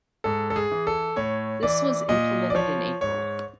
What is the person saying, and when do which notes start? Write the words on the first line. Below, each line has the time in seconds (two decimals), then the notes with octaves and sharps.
This was implemented in April.
0.24 G#2 A4
0.50 A4
0.56 G#4
0.71 E3
0.87 A4
1.16 A2 C#5
1.63 E3 D5
2.09 A#2 D#5
2.50 D5
2.55 F3 C#5
3.01 G#2 C#5